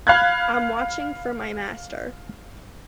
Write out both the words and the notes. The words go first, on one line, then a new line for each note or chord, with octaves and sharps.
I'm watching for my master.
F5 B5 F#6 G#6